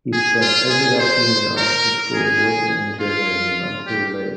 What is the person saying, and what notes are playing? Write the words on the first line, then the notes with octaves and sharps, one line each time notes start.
He spent every afternoon after school working in journalism until late.
G#4
F4
G#4
C5
A#4
G#4
F4
G4